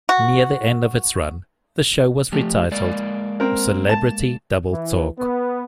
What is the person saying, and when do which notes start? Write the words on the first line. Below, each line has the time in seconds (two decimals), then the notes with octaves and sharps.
Near the end of its run, the show was retitled "Celebrity Double Talk".
0.09 F#4
2.32 F3 A3 G4
2.72 G#3 A#3 D5
3.40 C4 A#4
3.89 A5
4.72 E3
5.19 B3